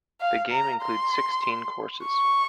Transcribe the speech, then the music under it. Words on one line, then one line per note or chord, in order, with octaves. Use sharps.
The game includes sixteen courses.
F5
A#5
C6
C#6